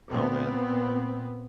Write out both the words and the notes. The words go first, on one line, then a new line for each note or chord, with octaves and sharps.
Aw, man.
A#2 B3 C4